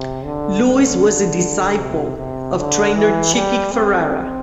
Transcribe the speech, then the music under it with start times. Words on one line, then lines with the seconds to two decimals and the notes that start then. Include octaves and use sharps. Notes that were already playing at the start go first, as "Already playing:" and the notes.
Lewis was a disciple of trainer Chickie Ferrara.
Already playing: C3
0.25 D3
0.63 D3
1.79 C3
2.18 C3
2.57 D3
2.95 E3
3.34 G3
3.72 C4